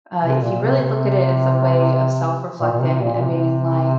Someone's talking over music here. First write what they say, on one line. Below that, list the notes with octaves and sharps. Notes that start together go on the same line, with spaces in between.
uh, if you really look at it as a way of self-reflecting and being like,
C3
A#2
C3
C3
A#2
A#2
C3
A#2
A#2
C3